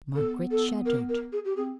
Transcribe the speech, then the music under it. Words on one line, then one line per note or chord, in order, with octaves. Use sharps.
Margaret shuddered.
B3 A4
A4
A#4
A#4
G#4
G4
C4 G#4